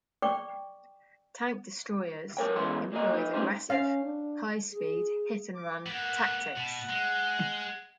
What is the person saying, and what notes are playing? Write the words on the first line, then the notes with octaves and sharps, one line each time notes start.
Tank destroyers employed aggressive, high-speed hit-and-run tactics.
D5 G5 C#6 D6
F#3 A#4 C#5 G5
E2 E3 G#3 C#4 B4 C6
F#3 G3 A#3 A#4 D#5
D#4 B4
A3 C#4 D#4 G4 C5
C#4 F5
D4
G#4
D6
A#3 B3 F#5
B2
G#3